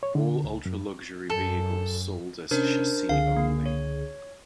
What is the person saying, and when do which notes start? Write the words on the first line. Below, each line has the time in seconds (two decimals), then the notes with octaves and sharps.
All ultra-luxury vehicles sold as chassis only.
0.03 C#5
0.15 D3
0.44 C#2
0.66 F#2
1.30 F#2 A4
2.51 C3 C#4 D4 A#4 C5
3.09 C#2 D3 G#4 F5
3.36 A#3
3.66 C#5